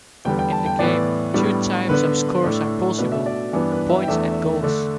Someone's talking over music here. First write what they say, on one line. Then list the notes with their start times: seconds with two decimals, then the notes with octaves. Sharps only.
In the game, two types of scores are possible: points and goals.
0.25 E2 D3 G3 B3 G5
0.39 G5
0.52 A5
0.66 G5
0.79 A2 E3 B3 D5
1.34 A2 G3 B3 D4
1.89 D3 B3 D4 B4
2.44 A2 A3 D4
2.98 B2 A3 D4 B4
3.12 E5
3.26 D5
3.53 G2 E3 B3 D4
3.72 B4
3.89 E5
4.03 G5
4.08 E2 E3 A3 D4 E5
4.63 D3 A3 D4